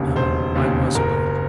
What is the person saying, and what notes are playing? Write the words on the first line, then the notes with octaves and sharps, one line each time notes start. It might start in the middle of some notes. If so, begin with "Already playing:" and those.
"No--I was awake."
Already playing: E1 D#2 C#3
E1 C5
D#2 C#3
F#1 A#4